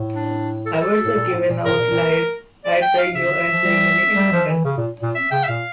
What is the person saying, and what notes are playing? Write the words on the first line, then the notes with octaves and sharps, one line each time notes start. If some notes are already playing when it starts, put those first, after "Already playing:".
Awards are given out live at the year-end ceremony in London.
Already playing: A2
D4
A4
A#4
A4
A2
A#2
A2
A#2
A2 A#4
C#3
A#2
A#2
D5
G5
F5
C#3 E5
D3
F3
G3
G3
F3
E3
C#3
A#2
A#2
E5
C#3 G5
E5
A#2 F5